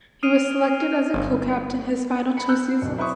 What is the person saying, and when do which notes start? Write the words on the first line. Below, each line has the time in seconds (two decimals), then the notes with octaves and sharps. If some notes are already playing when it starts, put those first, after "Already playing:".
He was selected as a co-captain his final two seasons.
0.23 D#6 F6 C7 D7 D#7 F7
1.14 G1
2.37 B5 C#7
2.49 E6 F#6 G6
2.82 D1 B2
2.98 E4 B4 C5 C#6 D#6